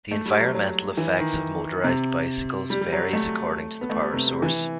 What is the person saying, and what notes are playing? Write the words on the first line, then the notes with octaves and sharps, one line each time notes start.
The environmental effects of motorized bicycles varies according to the power source.
A3
G3
F#3
F#3
E3
D#3
C3
G3
G3
F#3
A3
B3
A3
G3
C3
C3
E3